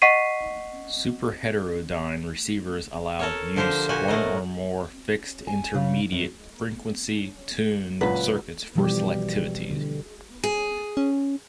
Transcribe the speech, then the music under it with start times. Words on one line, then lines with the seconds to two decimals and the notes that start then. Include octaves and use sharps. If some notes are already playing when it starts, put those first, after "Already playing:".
Superheterodyne receivers allow use one or more fixed intermediate frequency tuned circuits for selectivity.
0.02 D#5 F#5 C#6 B6 C7 D#7
3.19 A4 A#4 C#5
3.56 D3 F3 G4 A#4 C5
3.89 A#2 F#4 G4 G#5
4.08 A2 A3 A#4 D#5
5.47 G#5
5.74 C#3
6.12 F#2
8.01 C#2 F#2 A#2 B4
8.75 B2 E3 F3 G3 G4
9.71 D3
10.44 G#4
10.97 C#4